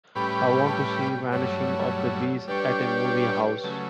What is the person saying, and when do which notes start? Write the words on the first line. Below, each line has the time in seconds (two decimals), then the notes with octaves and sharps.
I want to see Vanishing of the Bees at a movie house.
0.15 A2 G3 C#4 G4 B4 B5
0.69 A5
0.74 G5
1.32 G2 F#3 A3 C#5
2.48 G3 D4 G4 B4 C#5
3.64 C#3 F#3 A3